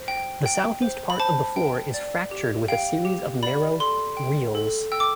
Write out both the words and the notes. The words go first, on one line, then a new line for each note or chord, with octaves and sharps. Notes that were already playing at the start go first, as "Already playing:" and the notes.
The southeast part of the floor is fractured with a series of narrow rilles.
Already playing: C5
G5
G5
C5
B5
C5 A5
G5
D5
G4
F5 G5
G4
D5 B5
A4 C6
G5
A4
G5 E6
D6